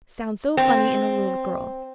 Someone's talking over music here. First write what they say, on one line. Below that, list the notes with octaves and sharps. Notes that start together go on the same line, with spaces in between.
It sounds so funny in a little girl.
C4